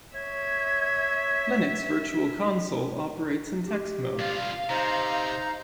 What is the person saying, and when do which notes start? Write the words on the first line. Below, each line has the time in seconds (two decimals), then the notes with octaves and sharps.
Linux virtual console operates in text mode.
0.15 C#5 E5 G#6
3.66 G4
4.19 G2 F4 F5
4.70 C3 D#4 C5 A#5